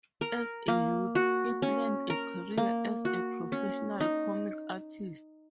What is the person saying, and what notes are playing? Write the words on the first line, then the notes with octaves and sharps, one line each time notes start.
As a youth, he planned a career as a professional comics artist.
A#4
A#3
F#4
C#4
A#4
A#3
F#4
C#4
D#4